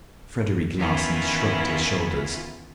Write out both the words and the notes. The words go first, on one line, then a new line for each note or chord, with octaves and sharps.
Frederic Larsan shrugged his shoulders.
D#3 E3 B3 C#4 E4 F4